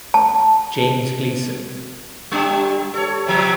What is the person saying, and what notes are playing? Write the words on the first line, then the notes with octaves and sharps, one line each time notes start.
James Gleeson.
A5
G3 D4 G4
A4 C#5
C3 F3 G3